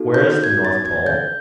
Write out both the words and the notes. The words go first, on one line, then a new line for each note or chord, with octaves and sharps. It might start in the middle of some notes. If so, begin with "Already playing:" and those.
"Where is the North Pole?"
Already playing: B3 D#4 F#4 A4
G6
G#6
A6
G#6
G6